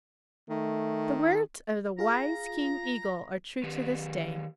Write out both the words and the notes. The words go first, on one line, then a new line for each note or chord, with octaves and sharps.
The words of the wise King Eagle are true to this day.
D#3 A3
F4 G#4 F5 A#5
D#3 G4 B4